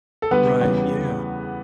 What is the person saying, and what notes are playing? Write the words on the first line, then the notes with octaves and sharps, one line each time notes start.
Right, yeah.
A4
D2 D3 G3 B3 B4
E2 C#3 G3